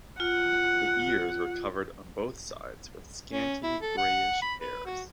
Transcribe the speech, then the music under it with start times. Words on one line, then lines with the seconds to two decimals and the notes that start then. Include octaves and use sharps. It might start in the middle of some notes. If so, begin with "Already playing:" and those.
The ears were covered on both sides with scanty grayish hairs.
0.20 F4 F#5
3.32 C#4
3.63 E4
3.82 A4
3.98 F#5
4.42 B5
4.61 B4
4.86 F#4